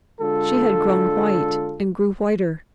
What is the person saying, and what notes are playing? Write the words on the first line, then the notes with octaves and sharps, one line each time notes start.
She had grown white, and grew whiter.
D3 G#3 D4 F4 A4